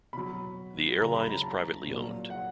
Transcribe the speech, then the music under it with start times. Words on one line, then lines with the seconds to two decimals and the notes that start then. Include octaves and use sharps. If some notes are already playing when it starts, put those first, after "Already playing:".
The airline is privately owned.
0.13 B2 F#3 B5
1.01 C#3 F#3 A#5
1.15 B5
1.29 A#5
1.43 A5
1.87 A#2 F#3
2.30 F#5